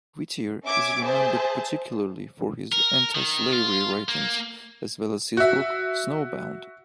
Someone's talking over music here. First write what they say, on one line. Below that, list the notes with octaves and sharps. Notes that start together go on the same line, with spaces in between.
Whittier is remembered particularly for his anti-slavery writings as well as his book "Snow-Bound".
C#4 E5 D6 G#6
G#4 C5 E5 A5
A#4
D#3
F4
A#3
F#4 E5